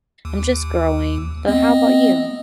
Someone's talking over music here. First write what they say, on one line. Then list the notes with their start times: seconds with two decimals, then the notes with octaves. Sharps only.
I'm just growing, but how 'bout you?
0.25 D#2
1.47 B3 C4 D#5